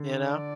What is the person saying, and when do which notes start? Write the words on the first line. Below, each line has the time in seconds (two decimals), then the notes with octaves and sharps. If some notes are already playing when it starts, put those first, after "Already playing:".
You know?
Already playing: D3
0.21 D5